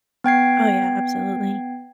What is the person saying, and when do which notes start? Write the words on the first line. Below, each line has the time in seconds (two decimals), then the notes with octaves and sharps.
Oh, yeah, absolutely.
0.24 B3 G5 G#6 C7